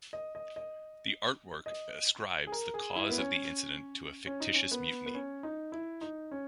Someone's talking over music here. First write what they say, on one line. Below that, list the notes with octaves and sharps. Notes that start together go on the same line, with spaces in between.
The artwork ascribes the cause of the incident to a fictitious mutiny.
D#5
D#5
D#5
D#5
G#4
A#4
G#4
E4
B3
C#4
C#4
D#4
C#4
B3
B3
C#4
D#4
E4
D#4
C#4